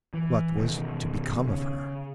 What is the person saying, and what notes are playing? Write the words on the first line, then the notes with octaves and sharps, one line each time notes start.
What was to become of her?
E3
B2 D#3
C#3